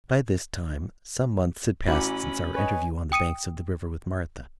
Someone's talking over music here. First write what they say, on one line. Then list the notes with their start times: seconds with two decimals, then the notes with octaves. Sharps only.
By this time, some months had passed since our interview on the bank of the river with Martha.
1.88 A1 E3 C#4 F#4 B5 D6
2.54 B4 C#5 D#5 G#5
3.12 G5 D#6 C#7 D#7